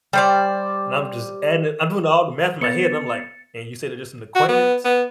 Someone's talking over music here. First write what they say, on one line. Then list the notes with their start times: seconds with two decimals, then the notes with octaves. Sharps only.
and I'm just adding it I'm doing all the math in my head, and I'm like, "and you said it's just an acquaintance?"
0.13 G3 C5 D5
2.61 B3 A6 C#7
4.35 F#4
4.49 B3
4.85 B3